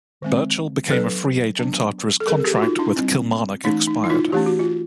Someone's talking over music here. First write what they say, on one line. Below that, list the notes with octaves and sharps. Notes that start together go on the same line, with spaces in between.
Burchill became a free agent after his contract with Kilmarnock expired.
D#3 G#3 C4
F#3 B3 D4 A4 B4
F#3 B3 D4
A4
G3 C4 G#4 A#4
G#4
G4 A4
F#4
D#4 F4
D4 E4
G3 C4
E3 A3 C#4 D#4
D#4
E4
D#4 F4
E3 A3 C#4 G4
F#4
F4